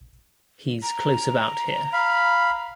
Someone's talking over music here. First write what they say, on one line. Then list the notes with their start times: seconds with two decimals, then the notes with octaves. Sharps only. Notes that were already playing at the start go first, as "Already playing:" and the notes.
He's close about here.
0.82 A#5
1.93 F5 B5